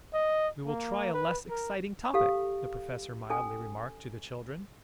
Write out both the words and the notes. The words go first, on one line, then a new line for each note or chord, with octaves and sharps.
"We will try a less exciting topic," the Professor mildly remarked to the children.
D#5
A#3
B4
A#4
G4 A4 F5
C#4 A4 G#5